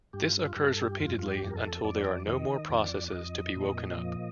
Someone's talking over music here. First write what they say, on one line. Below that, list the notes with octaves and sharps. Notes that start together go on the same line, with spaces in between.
This occurs repeatedly, until there are no more processes to be woken up.
G2 G4
F4
F4
G2 G4
A4
G4
F2 F4
F4
G4
F2
A#4
A4
F2 D5
D#3 D#5
F2 D5
D5
F2 D#5
A#2
F3